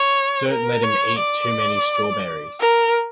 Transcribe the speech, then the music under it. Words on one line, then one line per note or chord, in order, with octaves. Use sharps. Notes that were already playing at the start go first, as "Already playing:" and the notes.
Don't let him eat too many strawberries.
Already playing: C#5
A#4
C#5
D5
A#4